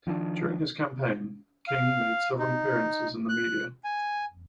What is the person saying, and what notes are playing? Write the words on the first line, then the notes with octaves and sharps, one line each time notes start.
During his campaign, King made several appearances in the media.
D#3 F3 G#3 D4
F5
D#4
F#6
G#5